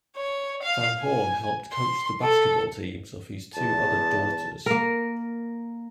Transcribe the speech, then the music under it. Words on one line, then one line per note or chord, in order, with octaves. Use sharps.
Van Horn helped coach the basketball teams of his two other daughters.
C#5
F5
G#5
C6
A4
E2 A5
A#3 A#4